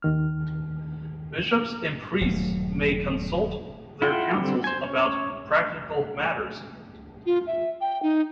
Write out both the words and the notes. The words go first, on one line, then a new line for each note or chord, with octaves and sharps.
Bishops and priests may consult their councils about practical matters.
D#2 D#3 F6
D#1 G2 F#3 A3
E4 F4 F#5 G5 C6
D3 G3 C4 D#4
C5 G#5
C#4 C#5
F4
E5
G5
D#4